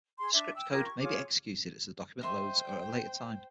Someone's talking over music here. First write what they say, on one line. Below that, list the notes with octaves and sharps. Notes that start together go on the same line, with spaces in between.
Script code may be executed as the document loads or at a later time.
G#4 C6
D4 E5
G5 E6
F4 G4 A#4 G#6
C#6
F4 G#4 C#5 D6
C5 D#5 E5 G5 C6